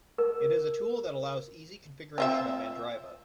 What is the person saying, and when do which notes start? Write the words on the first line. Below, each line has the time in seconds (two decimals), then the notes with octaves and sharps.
It is a tool that allows easy configuration of Mandriva.
0.18 A#4
2.18 C4 F4 E5